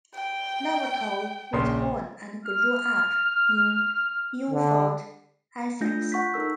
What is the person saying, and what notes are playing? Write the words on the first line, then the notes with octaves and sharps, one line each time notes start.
Levertov was born and grew up in Ilford, Essex.
G5
A#1 C#3 C6
F6
D3
A3 D4 F4 G6 A#6
F#5 C#6 G6 B6
D#4 A4 A#4 E6